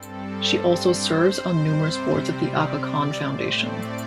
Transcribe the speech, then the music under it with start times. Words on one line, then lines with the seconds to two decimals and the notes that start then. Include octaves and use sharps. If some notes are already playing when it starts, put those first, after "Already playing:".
She also serves on numerous boards of the Aga Khan Foundation.
Already playing: G2 G3 C4 A4
0.68 C5
1.52 C3 G3 C4
2.36 D5
2.79 D5
3.20 A2 A3 C4 C5
3.62 D5